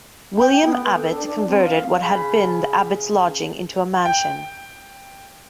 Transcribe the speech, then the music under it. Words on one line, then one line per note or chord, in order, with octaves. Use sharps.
William Abbot converted what had been the Abbot's Lodging into a mansion.
G5
G5
B3
B4
A4
D4
D4
C4
F5
C#3 B5
G5